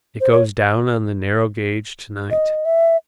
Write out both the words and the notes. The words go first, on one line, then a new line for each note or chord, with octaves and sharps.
It goes down on the narrow-gauge to-night.
C5
C#5
D#5
E5